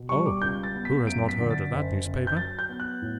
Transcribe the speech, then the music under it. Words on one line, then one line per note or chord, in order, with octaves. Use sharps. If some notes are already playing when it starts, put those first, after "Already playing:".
"Oh--who has not heard of that newspaper?"
Already playing: B2
G3 C#6
D6
C#2 G6
A6
B3
B6
F#2 D7
B6
D3
A6
F#1
F#1
G6
F#3 A6
G6
B3
F#6
A2